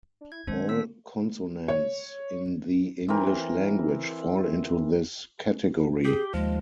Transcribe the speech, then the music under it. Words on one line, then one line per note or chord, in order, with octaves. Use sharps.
All consonants in the English language fall into this category.
D4
E4 G#6
D#3 G#3 C4 D4 C5
B3 E6 B6
C#5
E3 C4 A#4
G4 G#4
D#2 F3 G#3